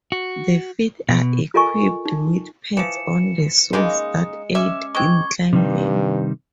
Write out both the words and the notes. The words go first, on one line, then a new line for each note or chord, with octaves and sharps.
The feet are equipped with pads on the soles that aid in climbing.
F#4
B2
F4 A4 A#4 D#5 G#5 C#6
D#4
E3 F3 C#7 E7
C#3 G#3 A#3 D#4
C#4 E5 D6
G#3 C4 C#6 G#6
G2 C3 D#3 G3